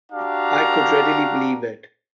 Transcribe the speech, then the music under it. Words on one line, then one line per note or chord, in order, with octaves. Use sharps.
I could readily believe it.
D4 F#4 G4 F5 A#5